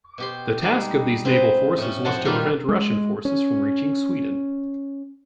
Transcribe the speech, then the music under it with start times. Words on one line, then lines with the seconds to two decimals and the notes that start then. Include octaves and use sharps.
The task of these naval forces was to prevent Russian forces from reaching Sweden.
0.18 B2 G4 C6
0.61 G3 G#3 D#4 G#4
1.25 C4 G#4 B4
1.78 A2 C#4
2.05 F2 C4 F#4 C5 F#5 A5
2.25 D#3 G3 A#3 F4 G4 B4
2.69 G#3
3.25 C#4